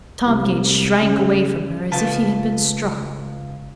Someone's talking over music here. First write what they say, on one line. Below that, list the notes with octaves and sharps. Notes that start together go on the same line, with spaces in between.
Tom Gates shrank away from her as if he had been struck.
C2
C#3
C#2 F4 B4 A5